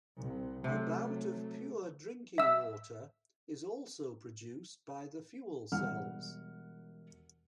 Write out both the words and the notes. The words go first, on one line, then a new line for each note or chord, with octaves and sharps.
About of pure drinking water is also produced by the fuel cells.
C2 C3
C3 F#3 A3
E5 E6
E1 G3 F#5 F6